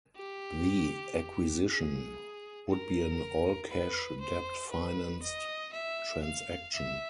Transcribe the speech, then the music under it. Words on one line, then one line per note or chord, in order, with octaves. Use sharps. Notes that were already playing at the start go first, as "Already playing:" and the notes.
The acquisition would be an all-cash, debt-financed transaction.
G4
G#4
A#4
B4
C5
B4
D#5
E5
F5
E5